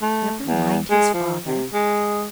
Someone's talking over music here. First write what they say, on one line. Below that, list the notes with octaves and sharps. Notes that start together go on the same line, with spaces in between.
"Never mind his father."
A3
E2
G#3
F3
C3
G#3